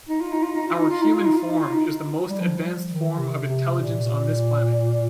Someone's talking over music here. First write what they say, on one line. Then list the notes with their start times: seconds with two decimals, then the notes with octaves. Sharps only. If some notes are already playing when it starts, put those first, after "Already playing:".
Our human form is the most advanced form of intelligence on this planet.
0.09 D#4
0.21 F4
0.33 D#4
0.44 F4
0.55 D#4
0.68 F4
0.79 D#4
0.90 F4
1.03 D#4
1.15 F4
1.26 D#4
1.38 F4
1.50 D#4
1.62 F4
1.73 D#4
2.30 G3
2.41 F3
2.88 D#3
3.18 C3
3.49 C3
3.81 A#2